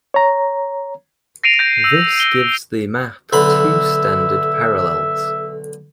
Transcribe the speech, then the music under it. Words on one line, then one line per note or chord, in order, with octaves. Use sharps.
This gives the map two standard parallels.
C#5 A#5
A#6 C7 D7 D#7 F7
G6 A#6
E6
G7
B1 D3 E5 B5